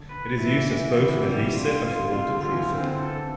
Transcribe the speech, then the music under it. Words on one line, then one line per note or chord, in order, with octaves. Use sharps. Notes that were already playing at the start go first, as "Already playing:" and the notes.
It is used as both an adhesive and for waterproofing.
Already playing: D3
B4
E3
E3
D3 E3
C3
C3 G3
F4
F4
C3 F4
D3
F4
E3
D3 C4
E3
D3
A4